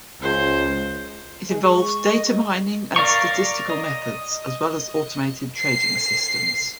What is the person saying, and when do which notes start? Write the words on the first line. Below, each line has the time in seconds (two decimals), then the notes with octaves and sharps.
It involves data mining and statistical methods, as well as automated trading systems.
0.22 C#2 C5
1.49 G#3 G#4
1.64 C#6
2.11 D#5
2.96 A#4 D5 F5 A#5 C#6
3.70 D#5
5.63 C7